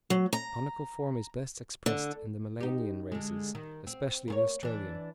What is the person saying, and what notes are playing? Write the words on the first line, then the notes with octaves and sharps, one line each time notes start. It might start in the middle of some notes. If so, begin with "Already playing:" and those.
The conical form is best expressed in the Melanian races, especially the Australian.
F#3
A#5
D3
D#4 G4
D3 G#3
D#3
C4
A#3 C4 C#5
E3 D4